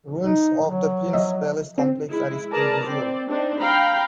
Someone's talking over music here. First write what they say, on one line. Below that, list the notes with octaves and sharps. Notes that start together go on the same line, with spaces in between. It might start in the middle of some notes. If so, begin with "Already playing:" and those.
Ruins of the Prince's Palace Complex are still visible.
D#4
F#3
F3 D#5 E5
C4
G#3 E4
G#4 A#4 B4 D5 A5 A#5
C4 D5
C4 D4 D#4
F5 G5 A#5 B5